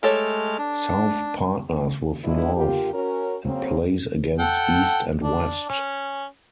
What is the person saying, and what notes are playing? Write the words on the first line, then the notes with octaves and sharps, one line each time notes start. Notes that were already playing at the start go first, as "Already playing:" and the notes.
South partners with North and plays against East and West.
G#3 A3 G4 A4 C#5 F6
D4
F#3 G#3 B3 D4 E4 F4
D3 A#3 F4 G4
C#4 F#4 A#4
C#3 F#3 A#3 C4
A4 F#5 G5
D4
C#4